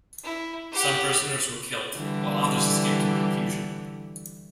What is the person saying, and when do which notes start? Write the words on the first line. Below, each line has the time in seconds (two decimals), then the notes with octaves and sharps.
Some prisoners were killed, while others escaped in the confusion.
0.23 E4
0.71 G4 F#5
1.95 D3 E3 G3